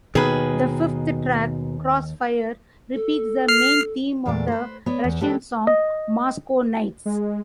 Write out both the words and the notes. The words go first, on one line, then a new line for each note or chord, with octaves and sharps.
The fifth track "Crossfire" repeats the main theme of the Russian song "Moscow Nights".
D#2 B2 D#3 G#4 B4
A4
F6 C7
E2 A#2 G#3 A3 D5
B4 C5
B3 C#5 D5
E2
G#3 C4 D4 G4 A4 B4
D#5
G#3